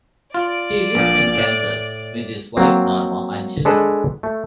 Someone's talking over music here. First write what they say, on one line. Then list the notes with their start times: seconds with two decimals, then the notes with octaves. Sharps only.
He lives in Kansas with his wife Norma and children.
0.34 F4 D5
0.95 A#1 A#2
1.37 A2
2.57 F#3 A#3 C4
3.65 G#3 D4 A4 B4
4.23 A3